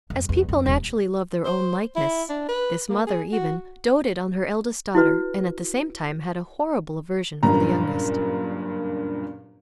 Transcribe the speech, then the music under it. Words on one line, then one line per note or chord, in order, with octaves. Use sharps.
As people naturally love their own likeness, this mother even doated on her eldest daughter, and at the same time had a horrible aversion for the youngest.
F2
E2
F2
D#1
C5
E4
D4
B4
A#3
G#4
F#4
E4 F#4 B4
F#1 G2 A#2 A#5